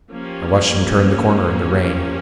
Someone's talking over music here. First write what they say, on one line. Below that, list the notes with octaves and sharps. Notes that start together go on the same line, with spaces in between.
I watched him turn the corner in the rain.
F3 A#3 C#4 G4